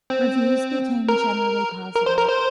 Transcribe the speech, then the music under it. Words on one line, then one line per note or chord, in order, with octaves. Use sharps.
Reviews became generally positive.
C4
A#4
A#4
C5
A#4
C5